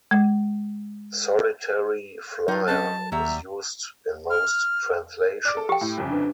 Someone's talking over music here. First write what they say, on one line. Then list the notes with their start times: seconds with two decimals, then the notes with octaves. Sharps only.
"Solitary flier" is used in most translations.
0.11 G#3
2.48 F#3 D#4 F4
2.67 C4 C#4 D#5 A5
3.12 D#2 F#3 G3 E5 A#5
4.30 F6
5.45 D5 D6
5.57 A4
5.69 G4 G5
5.81 A2
5.98 C2 F2 C#3
6.10 D4 B4